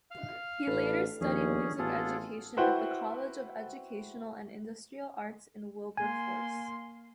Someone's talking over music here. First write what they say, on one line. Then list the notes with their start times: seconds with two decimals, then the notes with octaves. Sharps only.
He later studied music education at the College of Educational and Industrial Arts in Wilberforce.
0.11 F5 F6
0.67 A1 D4 A4 B4
1.21 D#2 F3 C#4 D4 G#4
1.79 A1 B3 F4 F#4 G#4 A4
2.57 E4 F#4 B4 C5 F#5 G5
5.97 A#3 G#5 C6